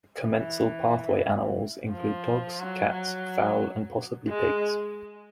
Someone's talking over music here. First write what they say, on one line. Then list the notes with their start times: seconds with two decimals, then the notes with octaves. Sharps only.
Commensal pathway animals include dogs, cats, fowl, and possibly pigs.
0.22 E3
1.91 F3
2.60 F#3
2.92 F#3
4.28 G#3